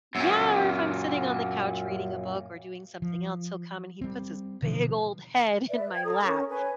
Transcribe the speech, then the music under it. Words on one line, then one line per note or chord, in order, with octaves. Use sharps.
Yeah, or if I'm sitting on the couch reading a book or doing something else, he'll come and he puts his big old head in my lap
F#2 A#2
F3
G3 C4
B2 D3 E3 F3
B4 D5 E5
G5 G#6
A4 A#5 D#6
C#4 A#4 C#6
B4 C#5 G#5